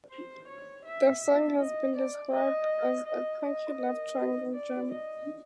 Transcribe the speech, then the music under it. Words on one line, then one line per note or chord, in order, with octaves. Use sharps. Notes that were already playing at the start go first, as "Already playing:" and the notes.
The song has been described as "a punky love triangle jam".
C5
C#5
E5
E5
D#5
D5
D#5
D#5
D#5
D5
D#5